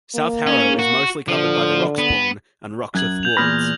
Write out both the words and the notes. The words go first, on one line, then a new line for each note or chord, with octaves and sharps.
South Harrow is mostly covered by the Roxbourne and Roxeth wards.
A#3
C#4
F#4
D3 F3
B3
F#2 F#6 G#6 F#7
G6 F7
E2 A#2 B5 D#6 F6 A#6